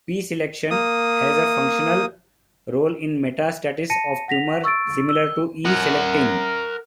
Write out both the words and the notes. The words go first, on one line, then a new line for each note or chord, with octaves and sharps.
P-selectin has a functional role in metastasis of tumor similar to E-selectin.
A#3 D#6
A5 A#6 C#7 D#7
F#5 A#6 B6 F7
C#6 E6 A6 D7
E6 G7
A#4 F#5